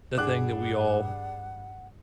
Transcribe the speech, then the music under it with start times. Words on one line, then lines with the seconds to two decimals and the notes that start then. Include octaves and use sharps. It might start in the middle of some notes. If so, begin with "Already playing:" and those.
the thing that we all
0.18 G2 D4 G#4 F#5 D6 F#6